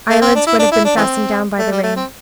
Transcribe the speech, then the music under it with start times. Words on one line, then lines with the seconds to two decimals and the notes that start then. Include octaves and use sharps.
Eyelids would have been fastened down by the rain.
0.10 A3
0.22 C4
0.35 D4
0.47 E4
0.59 D4
0.72 E4
0.85 D4
0.97 E3 A3 C4
1.59 A3
1.71 G3
1.83 A3
1.96 C4